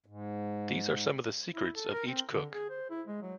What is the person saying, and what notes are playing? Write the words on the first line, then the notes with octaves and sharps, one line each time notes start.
These are some of the secrets of each cook.
G#2
E4
A4
A#4
C4
D3
G#4
C5
E4
G#3
F#3